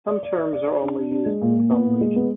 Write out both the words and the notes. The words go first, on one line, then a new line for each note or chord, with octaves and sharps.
Some terms are only used in some regions.
D5
D5
D5
D5
D5
D4
D4
D4
G#3
A#2
A#2
B3
A#2
G#3
B3